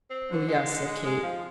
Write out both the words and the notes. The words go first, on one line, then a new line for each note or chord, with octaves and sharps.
"Oh, yes," said Kate.
C4
D3
G#3
D3
G#3
G#3
F3